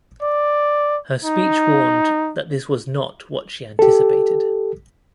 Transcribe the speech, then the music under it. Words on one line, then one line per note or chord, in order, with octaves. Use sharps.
Her speech warned that this was not what she anticipated.
D5
D#4
G4 A4